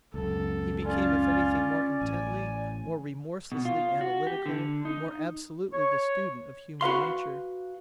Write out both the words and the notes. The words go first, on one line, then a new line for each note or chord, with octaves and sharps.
He became if anything more intently, more remorselessly analytical, more absolutely the student of human nature.
C#2 F#2 A4
C#4 F4 D5
A1 G#5
B2
F4
F#4
G4
D3
D#4
C#5
F#4 B4 F5 C6